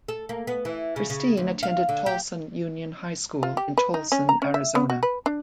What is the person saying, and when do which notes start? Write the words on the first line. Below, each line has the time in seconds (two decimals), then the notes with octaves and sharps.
Christine attended Tolleson Union High School in Tolleson, Arizona.
0.09 A4
0.29 A#3
0.47 B3
0.65 E3
0.96 C#3
1.10 C#3
1.37 D2
1.63 F5
1.89 D3
2.06 G4
3.43 F4
3.57 G4
3.78 B4
3.94 D#4
4.12 C#4
4.29 A#5
4.42 C#4
4.54 E5
4.75 B3
4.90 F#4
5.03 B4
5.26 D4